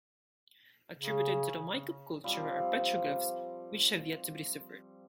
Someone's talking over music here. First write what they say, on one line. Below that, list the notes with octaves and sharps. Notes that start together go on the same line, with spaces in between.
Attributed to the Maykop culture are petroglyphs which have yet to be deciphered.
C#3
F3 G3 C4